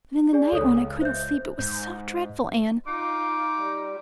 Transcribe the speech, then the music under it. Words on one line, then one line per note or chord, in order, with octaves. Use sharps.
But in the night, when I couldn't sleep--it was so dreadful, Anne.
G#4 D5 G#5
C#2 A4 C#5 D#6
C5 E5 G6
G#2 G6
D#4 F4 D6
G3